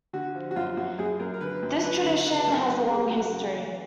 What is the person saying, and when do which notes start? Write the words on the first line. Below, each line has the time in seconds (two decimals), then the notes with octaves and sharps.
This tradition has a long history.
0.13 D3 F#4
0.35 F3
0.51 F#4
0.56 F#2 F4
0.77 F#2 F#4
0.99 F#2 G#4
1.19 F#2 A#4
1.34 A#4
1.41 D3 B4
1.63 F#2
1.83 D3 B4
2.05 D3
2.26 C#3 B4
2.47 F#2 A#4
2.68 C#3 B4
2.89 G3 G#4
3.06 G4
3.11 F#2 F#4
3.32 C#3
3.53 E3